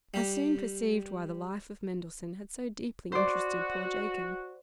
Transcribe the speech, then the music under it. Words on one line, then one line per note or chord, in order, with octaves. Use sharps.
I soon perceived why the life of Mendelssohn had so deeply interested poor Jacob.
G3 G4
F#4 C5 D5